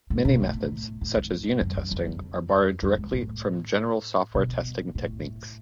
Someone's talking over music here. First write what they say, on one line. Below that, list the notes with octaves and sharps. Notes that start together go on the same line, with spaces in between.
Many methods, such as unit testing, are borrowed directly from general software testing techniques.
A2
B2
A2
A2
G#2
F#2
F#2
F2
F2
F#2
G#2
A2
B2
A2